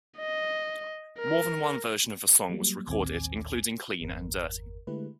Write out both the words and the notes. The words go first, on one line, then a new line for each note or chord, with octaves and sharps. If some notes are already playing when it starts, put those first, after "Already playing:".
More than one version of the song was recorded including Clean and Dirty.
D#5
A#4
F#3 G3 A#3
A#1 D#2 A2 C4 G#5 D6
G1 E2 A#4
D3 G#3 A3 E4 G4 B4